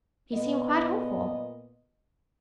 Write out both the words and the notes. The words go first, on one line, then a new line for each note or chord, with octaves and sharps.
He seemed quite hopeful.
A#2 B3 D#5